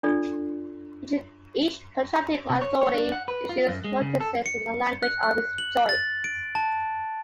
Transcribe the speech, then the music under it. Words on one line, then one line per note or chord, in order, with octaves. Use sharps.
Each contracting authority issues notices in the language of its choice.
D4 F4 A4 D5
C3
C#5
C#5
D4
F#5
B4
F4
F#2
G#3
C#3
A4
C#7
F#6
F#6
F#7
A6
D7
A5